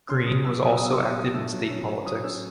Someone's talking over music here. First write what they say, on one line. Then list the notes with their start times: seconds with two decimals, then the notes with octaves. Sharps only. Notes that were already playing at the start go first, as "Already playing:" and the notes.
Green was also active in state politics.
0.09 C#4 C6
0.26 F#3 D#6
0.45 B2 E6
0.62 F#3 D#6
0.70 E6
0.77 D#6
0.81 B2 E6
0.90 D#6
0.99 F#3 E6
1.05 D#6
1.12 E6
1.17 B2 D#6
1.34 A3 E6
1.52 F#3
1.70 C#4
1.89 C#4
2.06 F#3 D#6
2.24 C#4 E6